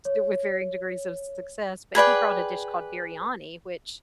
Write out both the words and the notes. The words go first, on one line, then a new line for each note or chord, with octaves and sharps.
t with varying degrees of su success, but he brought a dish called biryani, which
C#5
G#4 B4 D5 G5